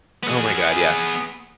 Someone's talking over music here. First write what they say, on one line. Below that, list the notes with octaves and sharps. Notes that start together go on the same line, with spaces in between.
Oh my god, yeah.
B3 G#4